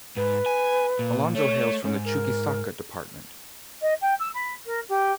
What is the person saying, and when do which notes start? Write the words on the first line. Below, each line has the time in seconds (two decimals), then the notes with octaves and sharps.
Alonzo hails from the Chuquisaca Department.
0.17 G#2 B4
0.46 G#5
0.99 A#2
1.35 A3 C#5
1.84 G#2 C#4
2.05 A#4
3.82 D#5
4.01 G5
4.19 E6
4.34 B5
4.66 A#4
4.89 G4